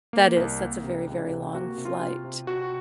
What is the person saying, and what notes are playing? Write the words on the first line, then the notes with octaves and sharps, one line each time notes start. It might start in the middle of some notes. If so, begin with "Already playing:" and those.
That is. That's a very, very long flight.
A#3
C2
A#3
C3
C#2
C3
A#3 F#4
C3
F4
C3
C3
C3 F#4